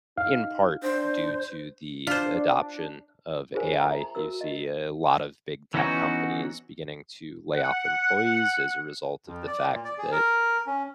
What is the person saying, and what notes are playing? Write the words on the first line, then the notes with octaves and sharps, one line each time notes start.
in part, due to the adoption of AI, you see a lot of big tech companies beginning to layoff employees as a result of the fact that
D#4 F5
D4 C5
D4 F4 C5
F4 G#4 A#4 C5 G#5
E5 A#5
A#5
F#4 A#4 E6
D#5
E3 B3 C#4 D#4 F#4
F#5
F2
D5
A#2
D5
G#4
A#4
C#4